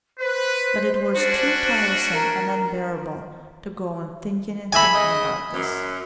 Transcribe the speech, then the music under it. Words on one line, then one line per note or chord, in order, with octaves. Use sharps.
But it was too tiresome and unbearable to go on thinking and thinking about this.
B4 C5
C#4 D4 F#4
A#4
A2 A4 E5 G#5 B5
C#3 D#5
F#2